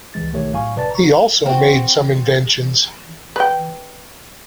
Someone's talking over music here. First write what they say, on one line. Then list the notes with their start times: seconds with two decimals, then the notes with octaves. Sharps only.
He also made some inventions.
0.14 C#2 E3 G#3 A6
0.33 B1 D#3 A3 G4 C#5
0.53 A2 F#3 F5 G#5 C#6
0.76 G1 C3 B4 D5 A5 A6
0.91 A#5 C#6
1.46 C4 F#4
3.36 B4 G5